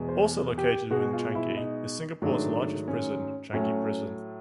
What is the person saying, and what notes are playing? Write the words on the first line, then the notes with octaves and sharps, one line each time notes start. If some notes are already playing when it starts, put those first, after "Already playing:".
Also located within Changi is Singapore's largest prison, Changi Prison.
Already playing: E2 B2 G#3
C5
G4
B2 G#3 F#4
F4
E4
D#4
G#2 D#3 F#3 A3 D4
C#4
A2 F#3 A3 C#4